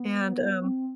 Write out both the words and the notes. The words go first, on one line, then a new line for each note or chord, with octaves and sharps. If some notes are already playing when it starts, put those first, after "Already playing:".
and, um,
Already playing: B3
C4